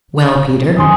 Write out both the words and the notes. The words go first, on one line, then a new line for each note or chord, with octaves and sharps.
"Well, Peter?"
F#2 D#3 G#5 C6 D#6